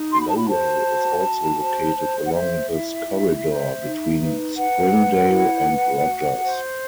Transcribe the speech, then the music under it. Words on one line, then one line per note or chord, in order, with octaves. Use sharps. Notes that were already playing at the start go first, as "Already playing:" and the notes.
Lowell is also located along this corridor, between Springdale and Rogers.
Already playing: D#4
F#4 C6
B5
A5
B5
C5 A5
F#4
F#4
C5
C5
F#5
C5 E5
E4
E4
C5
D#4
B4
B4 F#5
B4
E4
B4
F#4
C5